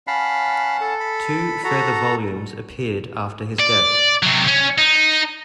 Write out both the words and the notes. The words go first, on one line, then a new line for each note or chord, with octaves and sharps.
Two further volumes appeared after his death.
C#4 F5 F#5 A5 B5
A4
B5
F#4 A4 A#5
D5
C3 F#3
C#4
D#4